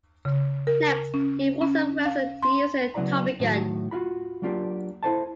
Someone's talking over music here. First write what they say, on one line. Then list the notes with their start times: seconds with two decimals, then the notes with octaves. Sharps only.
Next he forces Wilson to use a Tommy gun.
0.25 C#3
0.67 A#4
1.14 C#4
1.62 C#4
2.05 F5
2.42 C6
2.94 C#3 F#3 B3 E4 D5 A#5
3.40 A2 D#3 F#3
3.91 F4 F#4 B5
4.42 F#3 A#3 D4 F4 G4 A#4
5.03 E4 A4 C5 D#5 A5